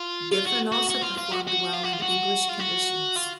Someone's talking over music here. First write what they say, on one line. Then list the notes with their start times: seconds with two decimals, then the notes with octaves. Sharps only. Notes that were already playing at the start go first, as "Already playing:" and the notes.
Giffen also performed well in English conditions.
Already playing: F4
0.32 F4
0.47 F#4
0.72 F#4
0.89 F#4
1.03 F4
1.17 F4
1.32 F#4
1.48 F#4
1.74 F4
1.83 F#4
1.93 F4
2.02 F#4
2.49 F4
2.60 F#4
3.16 F4